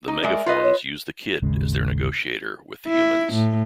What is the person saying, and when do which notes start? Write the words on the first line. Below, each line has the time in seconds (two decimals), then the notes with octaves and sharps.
The Megaforms use the Kid as their negotiator with the humans.
0.08 D#4
0.23 G#3 A#4 D5 E5
0.46 F4 B4 D#5
0.63 C#5
1.42 G#1 D#2 C#3 G#3
2.87 E4
3.33 A2